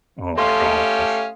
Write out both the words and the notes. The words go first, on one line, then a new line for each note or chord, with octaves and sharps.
Oh my gosh.
A3 C#4 G4 A4 F5 C6 D#6